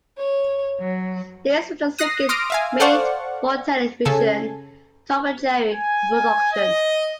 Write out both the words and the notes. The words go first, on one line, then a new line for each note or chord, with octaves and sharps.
This was the second made-for-television "Tom and Jerry" production.
C#5
F#3
D#6 F#6 A#6 C7
C6 D6 D#6 F6 A#6 D7
E5 F5 G#5
A4 C5 D5 F5 F#5 C#6
C#3 A4 G#5
G#5
D#5